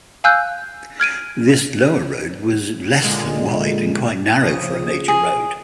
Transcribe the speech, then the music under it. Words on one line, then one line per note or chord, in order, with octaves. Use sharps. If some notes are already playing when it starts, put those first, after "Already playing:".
This lower road was less than wide and quite narrow for a major road.
F5 G#5 E6 F#6 G6
F6 G#6 D7 D#7
A#2 D3 G#3
C#3 F3 D#6
G#4